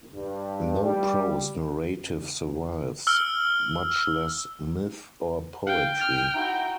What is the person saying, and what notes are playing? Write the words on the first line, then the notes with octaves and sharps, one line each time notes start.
No prose narrative survives, much less myth or poetry.
G2
G3
E6 F6 G7
F5 G5
F6
D#4 E4 F#4